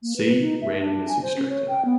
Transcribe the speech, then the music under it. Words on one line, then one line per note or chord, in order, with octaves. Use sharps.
"See" randomness extractor.
A#3
B4
D#4
E5
D4
G#5
C5
C#4
C#5
G5
B3